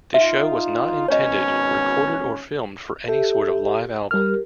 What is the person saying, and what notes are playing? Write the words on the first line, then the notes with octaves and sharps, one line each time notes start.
This show was not intended, recorded or filmed for any sort of live album.
D#4 F4 E5
G#1 B2 C#4 C#5 D#5
G4 A4 E5
G3 G4 A#4 F6